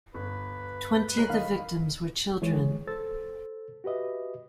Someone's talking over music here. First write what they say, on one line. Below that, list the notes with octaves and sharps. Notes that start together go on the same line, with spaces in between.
Twenty of the victims were children.
G1 B4
G#3 C#5 A#5 F#6 C7 D#7
D#3 D#5 F5 B5
E3 G#3 G#4 C#5
A4 C5 E6 A6
F#4 G4 B4 D#5 E5